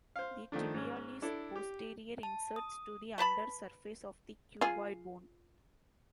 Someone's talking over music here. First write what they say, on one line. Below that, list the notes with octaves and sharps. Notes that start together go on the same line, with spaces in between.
The tibialis posterior inserts to the under surface of the cuboid bone.
C5 F5
D#3 F3 A3 D4
G#2 C#4
D4 E4 A4 D5
G4
A5
D#6
A3 B4 A5 B5
F4 G#4